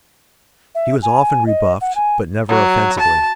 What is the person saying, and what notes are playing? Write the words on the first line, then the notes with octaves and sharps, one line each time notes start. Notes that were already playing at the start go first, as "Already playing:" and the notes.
He was often rebuffed but never offensively.
E5
G#5
D#5
F#5
G#5
F#3
A5